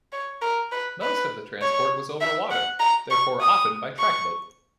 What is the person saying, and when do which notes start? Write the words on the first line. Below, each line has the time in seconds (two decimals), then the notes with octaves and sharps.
Most of the transport was over water, therefore often by track boat.
0.12 C#5
0.42 A#4
0.71 B4
1.02 B4
1.61 C#5
2.21 E5
2.51 F#5
2.80 A#5
3.10 C#6
3.40 D#6
3.99 C#6